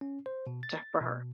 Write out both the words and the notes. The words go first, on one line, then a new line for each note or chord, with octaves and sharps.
to for her.
C#4
C5
B2
A6
B2